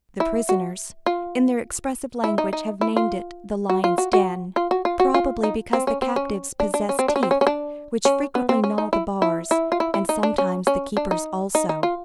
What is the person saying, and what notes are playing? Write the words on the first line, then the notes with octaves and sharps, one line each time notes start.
The prisoners, in their expressive language, have named it the "Lions' Den," probably because the captives possess teeth which frequently gnaw the bars, and sometimes the keepers also.
E4
F#4
F4
E4
D#4
D#4
E4
F4
F#4
F4
F#4
F#4
F4
F#4
F4
F#4
F4
D#4
C4
C#4
C4
C#4
D4
D4
C#4
C4
D4
C#4
C4
C#4
C#4
D4
C#4
B3
C4
C#4
D#4
E4
E4
E4
F4
E4
E4
D#4
D4
C#4
C#4
D4
D#4
D#4
D#4
F4